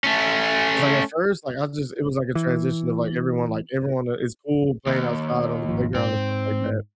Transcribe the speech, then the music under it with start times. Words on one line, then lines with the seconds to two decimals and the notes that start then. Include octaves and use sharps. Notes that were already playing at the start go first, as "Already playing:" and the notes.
'cause, like, at first, like, I just it was, like, a transition of, like, everyone, like, everyone, uh, in school playing outside on the playground and stuff like that,
0.04 A3 C#4
2.35 E3
4.87 D#2
5.69 G#1 C#2 F3
5.95 G#2 C4